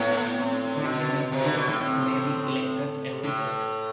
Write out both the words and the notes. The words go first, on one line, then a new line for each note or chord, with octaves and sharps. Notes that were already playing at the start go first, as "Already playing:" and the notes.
Twenty new Fellows may be elected every year.
Already playing: A2 B3
C4
B2
C3
D3
B2
A2
A2 C4
A2